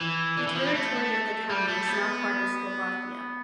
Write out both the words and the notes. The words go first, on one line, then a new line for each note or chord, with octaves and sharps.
The territory of the county is now part of Slovakia.
E3
D3
E3
F3
G3
A3
G3
A3
B3